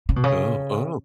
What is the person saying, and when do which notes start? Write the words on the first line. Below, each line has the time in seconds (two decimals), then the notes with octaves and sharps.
Oh, oh.
0.09 C#3
0.16 B2
0.24 C#3